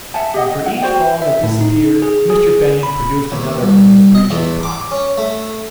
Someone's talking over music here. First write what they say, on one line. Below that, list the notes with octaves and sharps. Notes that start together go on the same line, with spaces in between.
And for each ball that disappeared Mr. Benyon produced another from his breeches pocket.
E5 F#5 G#5 A5
G4 D#5 F#5
D#5
F#5
F#4 C5 D5 G5
E5
A2
D#4
G#4
G#4
B5
D#2
C2
D#5
E2
D6
C#4
A3